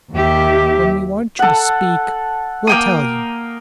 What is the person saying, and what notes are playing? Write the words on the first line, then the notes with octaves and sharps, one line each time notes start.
"When we want you to speak we'll tell you."
D#2 G4 E5
A4 F#5
A#3 G5 D#6